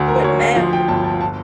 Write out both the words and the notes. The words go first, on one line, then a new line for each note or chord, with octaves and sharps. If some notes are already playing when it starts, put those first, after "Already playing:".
But now,
Already playing: D2
A#4
D2 C#5
F5
F3 F5
G5
G1 A5
A5
A5